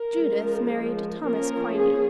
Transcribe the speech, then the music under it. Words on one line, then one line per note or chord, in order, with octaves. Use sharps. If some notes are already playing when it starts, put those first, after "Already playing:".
Judith married Thomas Quiney.
Already playing: A#4
F3 G#3 C#4
F3 A#3 C#4 A#4
G#4